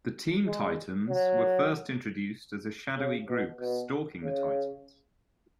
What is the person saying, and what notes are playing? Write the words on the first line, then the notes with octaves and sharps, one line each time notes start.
The Team Titans were first introduced as a shadowy group stalking the Titans.
G#3
F#3
C#3
B2
B2
C#3